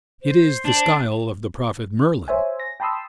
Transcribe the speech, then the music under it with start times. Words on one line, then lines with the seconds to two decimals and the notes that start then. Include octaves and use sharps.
It is the style of the prophet Merlin.
0.22 C5
0.65 D4
2.28 C5 C#5 E5 G#5
2.60 A#6
2.80 G5 A5 B5 C6 D#6 E6